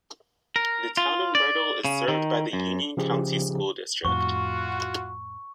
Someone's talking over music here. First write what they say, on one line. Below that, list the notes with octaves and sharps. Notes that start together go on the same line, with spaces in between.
The town of Myrtle is served by the Union County School District.
A#4
F4
D5
C#3
D#3
F#2
C#3 F3 G4 G#4
F2 A2 F4 F#4 C#6